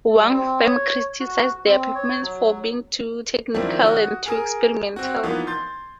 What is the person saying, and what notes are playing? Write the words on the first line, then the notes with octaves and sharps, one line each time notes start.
Wang Feng criticized their performance for being too technical and too experimental.
G3
C4
C#5
F#4
C4
C#5
F#3
D#3 F3 F#3 C4 D4 E4
F#4 D#6
G#4 A#4 D#6
C4 F#4
E3 F3 A#3 B3 D#4
C6 G6 A6